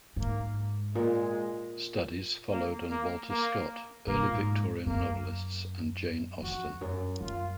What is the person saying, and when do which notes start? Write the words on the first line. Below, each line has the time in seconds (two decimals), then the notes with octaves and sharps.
Studies followed on Walter Scott, early Victorian novelists and Jane Austen.
0.16 G#2 A#3
0.95 A#2 G#3
2.51 A#3
2.90 A#3
3.29 A#3
4.07 C3 A#3
4.23 A#2
4.34 G#2
4.86 F#2 A#3
6.42 F2 F#4
6.81 F#2
7.20 F#2 F4